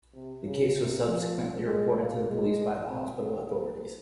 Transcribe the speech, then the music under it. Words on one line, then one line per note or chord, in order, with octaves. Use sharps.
The case was subsequently reported to the police by the hospital authorities.
C3
C#3
C3
F3
G#3
A#3
G#3
C4
A#3